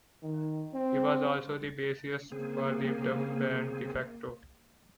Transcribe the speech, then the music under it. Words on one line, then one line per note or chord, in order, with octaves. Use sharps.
He was also the bassist for the dub band De Facto.
D#3
C4
C#3 A#3 C4 G#4